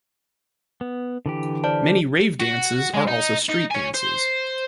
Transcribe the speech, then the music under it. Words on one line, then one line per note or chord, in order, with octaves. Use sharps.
Many rave dances are also street dances.
B3
D3 E3 G4
C5 D5 A5
F#4
G#3
D#4
D#4
C#5 G#5
C5